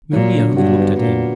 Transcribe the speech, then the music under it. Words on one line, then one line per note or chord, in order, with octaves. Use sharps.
Moody only looked at him.
A#2 F#3
D3
G2 F#4
B3
A#2 D3